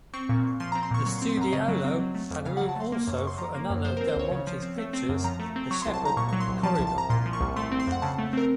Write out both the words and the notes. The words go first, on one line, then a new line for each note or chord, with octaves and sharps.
The studiolo had room also for another of Del Monte's pictures, the Shepherd "Corydon".
C4 C#6
A#2
A#2
F3 C6
A#5
C4
C6
A#2 C#6
F#3 C#6
C6
C4
C6
F#2 A#5
C#3 D#5
F#3
C4
F#3
A3
F2
C#3 F5
F#5
F#3
A5
A3 C6
A#3 C6
F#2
C#6
F#2 C6
F3 A#5
A#3
F#2
F3 C5
A#4
C4
C5
C#2 C#5
C#3
F3
C4
A3
C4
F#2
F3 A#5
A3
C4
F#3 C#6
C6
C2
A5
C2 A#5
A#2 C#6
F#3 C#6
C6
C2
F3 A5
A5
C2
A5
C2 A#5
A#2 C6
F3
C#6
C2
A3 C6
C4
C6
F2 F#5
C#3 A5
A3
C4 A#4